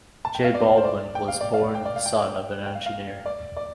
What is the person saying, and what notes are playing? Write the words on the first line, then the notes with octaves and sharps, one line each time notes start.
J. Baldwin was born the son of an engineer.
A5
G5
F5
D5
C5
D5
G5
F5
D5
F5
G5
D5
F5
G5
G5
F5
F5
D5
D5